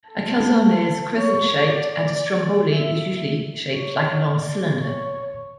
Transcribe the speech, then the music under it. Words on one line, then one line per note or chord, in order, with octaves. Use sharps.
A calzone is crescent-shaped, and a stromboli is usually shaped like a long cylinder.
A4
C#5
D5
E5
C#5
D5
C#5